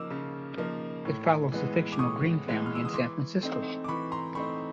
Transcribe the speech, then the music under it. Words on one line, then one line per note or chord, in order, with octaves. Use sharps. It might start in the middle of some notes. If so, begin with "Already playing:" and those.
It follows the fictional Green family in San Francisco.
Already playing: C#3 F3 A#3 D#4 D6 E6
C#3
F3 A#3 D#4
A2
E3 G#3 B3
D6
A2 C#6 D#6
E3 G#3 B3
F6
E6
D#6
E3 C6 D6
A3 C4 D#4
D6
E3 B5 C#6
A#5 C6
A3 C4 D#4 B5 C#6